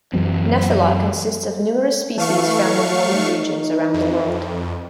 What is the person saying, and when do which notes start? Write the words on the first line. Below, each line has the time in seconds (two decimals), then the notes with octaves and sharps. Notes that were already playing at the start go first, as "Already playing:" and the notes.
"Nephila" consists of numerous species found in warmer regions around the world.
0.13 F#2 E3 F#3 C4
2.18 E3 A3 F5 C#6
3.15 D#4
3.94 F2